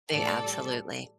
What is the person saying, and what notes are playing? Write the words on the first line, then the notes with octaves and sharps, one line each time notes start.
They Absolutely
A2 E3 A3 A4 D5
G3